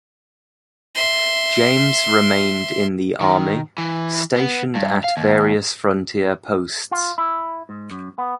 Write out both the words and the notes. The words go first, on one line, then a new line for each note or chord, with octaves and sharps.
James remained in the army, stationed at various frontier posts.
E5 C6
D#3
E3
B3
G2
F5
D#2
F4
E4
G#2
F#2
B3